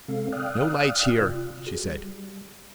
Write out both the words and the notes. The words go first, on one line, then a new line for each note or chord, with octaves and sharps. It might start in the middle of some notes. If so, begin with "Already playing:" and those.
"No lights here!" she said.
C3 G#3 C4 A4 F5
D5 F5 G5 D#6 F6 F#6
C3 F4
F#4 G#4
G3